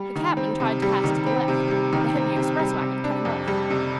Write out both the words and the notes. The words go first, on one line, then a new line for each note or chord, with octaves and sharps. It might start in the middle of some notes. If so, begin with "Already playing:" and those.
The cabman tried to pass to the left, but a heavy express wagon cut him off.
Already playing: G3
D#3
C4
C3
G3
D#3
C4
C3
G3
D#3
C4
C3
G3
C3
D4
F2
G3
C3